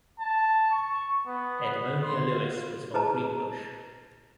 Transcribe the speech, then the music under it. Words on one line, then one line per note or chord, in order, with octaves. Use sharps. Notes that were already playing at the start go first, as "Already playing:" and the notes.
Edmonia Lewis was from Greenbush.
A5
C#6
B3
B3
C6
F4
E4 G#4 B4 D#5 A5 A#5